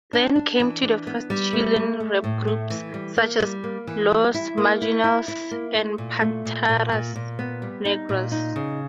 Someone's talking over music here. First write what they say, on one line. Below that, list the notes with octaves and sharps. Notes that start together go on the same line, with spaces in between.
Then came the first Chilean rap groups, such as "Los Marginales" and "Panteras Negras".
D4
D4
E3
D4
B3
G3
A3
A3
A3
A2
A3
E3
G3
A#3
G3
A#3
E3
G3
E4
A#3
E4
E4
E4
A#3
A3
A#2
A3
A#2
A#2
A#2
A#2
B3
G3
D#4
A#2
D#4
C#3